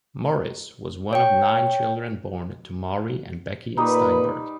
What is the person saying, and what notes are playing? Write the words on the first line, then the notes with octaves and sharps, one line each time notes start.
Morris was one of nine children born to Morry and Becky Steinberg.
C#5 G5
A#2 G3 D#4 B4